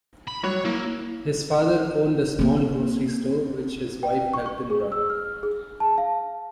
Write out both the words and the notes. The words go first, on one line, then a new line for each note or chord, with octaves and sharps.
His father owned a small grocery store, which his wife helped him run.
B5
F#3 G3 F#4 C#5
A#3 E4
A#3 C4
G5
C#6
C#6
G#4
E6
F6
G#4
A5
F5